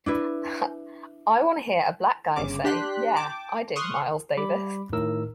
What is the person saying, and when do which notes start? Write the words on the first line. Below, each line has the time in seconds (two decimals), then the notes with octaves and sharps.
I wanna hear a black guy say 'Yeah, I dig Miles Davis.
0.06 D4 E4 B4
2.36 G1 C#3 D6
2.64 D4 G4 C6 F#6 B6
3.17 G5 A5 D6
3.76 C6 C#6 D#6 F6 F#6
4.37 G3 B5 D6
4.93 A2 D#3 A#4 E6